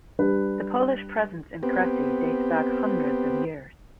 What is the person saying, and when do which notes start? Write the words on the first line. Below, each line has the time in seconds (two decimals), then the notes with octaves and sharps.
The Polish presence in Kresy dates back hundreds of years.
0.19 G3 D4 G4 B4
1.63 B3 C4 G4